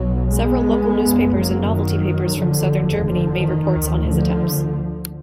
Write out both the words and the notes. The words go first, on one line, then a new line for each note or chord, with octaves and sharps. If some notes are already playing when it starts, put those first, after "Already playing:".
Several local newspapers and novelty papers from Southern Germany made reports on his attempts.
Already playing: B1 B2 F#3
G#3 B3
F#1 F#2
F#3 A#3
D#3 F#3
F1 D#2 D3 F3
D3 F3
D#3
D2
D3 F3